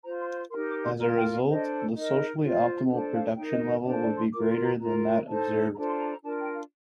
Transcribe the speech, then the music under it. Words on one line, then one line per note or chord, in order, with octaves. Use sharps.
As a result, the socially optimal production level would be greater than that observed.
F4 C5 A#5
C6
C6
D#4 G4 A#4 C6
D6
C6
F4 A#4 A#5
G5
F5
D4 A4 C5 D#5
D#4 A#4 D#5
F4 C5
D4 A4 C5
F5
D#4 A#4 G5
D#5
D#5
D4 A4 C5 D#5
D5
C6
F4 A#4 D6
C6
A#5
F4 A#4 A#5
D#4 A4 C5 A5
D4 F4 A4 C5 A#5
C6
A#5
A#5
D4 F4 A#4 A5
G5
F5